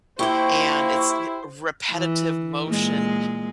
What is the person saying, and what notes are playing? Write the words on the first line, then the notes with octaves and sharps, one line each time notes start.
and it's, yo repetitive motion,
F3 A#3 E4 G4 C5 G5 C#6
E3
A#2 G#3